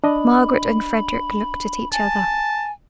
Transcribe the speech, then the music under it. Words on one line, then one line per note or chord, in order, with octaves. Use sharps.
Margaret and Frederick looked at each other.
D4 D#5 B5
G#5 A5